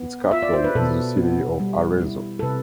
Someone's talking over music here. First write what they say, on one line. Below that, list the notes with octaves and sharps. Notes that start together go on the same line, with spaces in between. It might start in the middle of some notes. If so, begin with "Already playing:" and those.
Its capital is the city of Arezzo.
Already playing: B3
F4 E5
D5
C5
B4
B2 A4
B3
G3
E4
A4
C3 B4